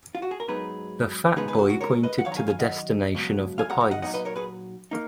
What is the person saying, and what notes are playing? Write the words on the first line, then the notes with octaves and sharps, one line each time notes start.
The fat boy pointed to the destination of the pies.
F4
F#4
G#4
A#4
G#2 F#3 B3 D#4 G#4 B4
C#3 G#3 B3 D#4 G#4 B4
G#4 B4
F#4
F#4
A#4 C#5
B4 D#5
F#5
F#2 D#3 F#3 C#5 F5
A#5
F5 G#5
F5 G#5
D#5 F#5
C#2 B2 F#3
F5 G#5
F#5 A#5
F#5 A#5
D#5 F#5
A#2 F#3 B3 D#4 D#5 F#5
B4 D#5
A#4 C#5
G#4 B4
A#3 D#4